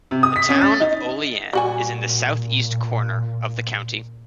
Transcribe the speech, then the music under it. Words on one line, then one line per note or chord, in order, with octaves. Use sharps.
The town of Olean is in the southeast corner of the county.
C3
D#6
B6
C#4
A6
D#4
A#2 G3 F#4 G#5